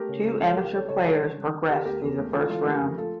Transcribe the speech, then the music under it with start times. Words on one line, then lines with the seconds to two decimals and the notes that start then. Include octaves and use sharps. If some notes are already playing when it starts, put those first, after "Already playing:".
Two amateur players progressed through the first round.
Already playing: A3 G4 A#4
0.09 C#3
0.24 C#2
0.41 C#2 A4 C#5
0.57 C#2 G4 A#4
0.73 G3 A4 C#5
0.89 C#3 A4 C#5
1.05 G3 A4 C#5
1.21 C#3
1.37 G3
1.54 D3
1.69 D3 G4 A#4
1.85 D2 G4 A#4
2.02 E2
2.18 A3
2.33 E3 F4 A4
2.49 E3 F4 A4
2.65 A3 G4 A#4
2.81 F2
2.98 A3 F4 A4